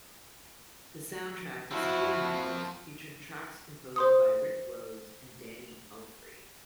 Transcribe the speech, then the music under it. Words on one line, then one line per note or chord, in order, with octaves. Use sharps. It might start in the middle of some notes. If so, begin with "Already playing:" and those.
The soundtrack to Steel Panthers featured tracks composed by Rick Rhodes and Danny Pelfrey.
F3 C4 E4 F#4
C5 C6 D#6